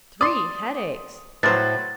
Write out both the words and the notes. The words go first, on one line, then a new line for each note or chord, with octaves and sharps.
"Three headaches!"
D5 C6 D#6
A2 F#3 B4 C5 A6